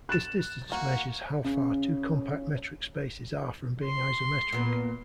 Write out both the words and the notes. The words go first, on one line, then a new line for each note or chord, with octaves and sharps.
This distance measures how far two compact metric spaces are from being isometric.
F#6 A6 E7
A#3 F#4
C#3
C6
A#2 B3